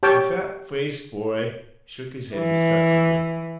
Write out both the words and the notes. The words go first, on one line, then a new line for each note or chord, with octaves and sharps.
The fat-faced boy shook his head disgustedly.
G4 C#5 G5 A5
E3